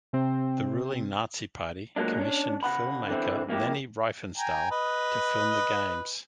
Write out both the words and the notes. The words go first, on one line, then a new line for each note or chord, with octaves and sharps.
The ruling Nazi Party commissioned film-maker Leni Riefenstahl to film the games.
C3 C4
A#2 F#3 G#3 A#3 D4
C#4 D4
C#3 F#5 B5
D3 E3 C4 E4
F2 A#3 E4 G4
G5 G#5 A#5
B4 D#5